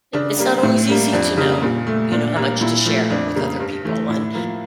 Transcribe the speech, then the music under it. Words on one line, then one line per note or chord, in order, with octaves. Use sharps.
i it's not always easy to know, you know, how much to share with other people and,
C#3 D4
G3 A#3
A2
G3 A#3
F2 D4
C#3 G3 A#3
A#2
A3
A#2 D4
G3 A#3
A#2 E4
F3 A3
F2 D4
C#3 G3 A#3
G2
E3 A3
A2 E4
F3 A#3